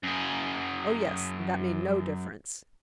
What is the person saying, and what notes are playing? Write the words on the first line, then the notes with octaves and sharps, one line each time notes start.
"Oh, yes; that made no difference."
F#2 G#4